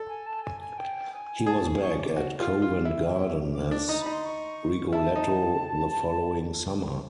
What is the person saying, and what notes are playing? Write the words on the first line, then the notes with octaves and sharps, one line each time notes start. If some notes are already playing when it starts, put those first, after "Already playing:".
He was back at Covent Garden as Rigoletto the following summer.
Already playing: A4
G#5
A5
G#5
G#5
G5
G#5
G#4 A5
C#6
D6
F#4
F4
F4
E4
D6
D4
D#4 A#5
B5
D#4
C6
C#6
E4 A5
D#4